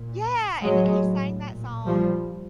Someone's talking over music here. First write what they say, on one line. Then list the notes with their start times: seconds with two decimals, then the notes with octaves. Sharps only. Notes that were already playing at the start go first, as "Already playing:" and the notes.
Yeah! And he sang that song
Already playing: A#2
0.61 A2 F#3 G#3
1.44 A#2
1.86 F3 G3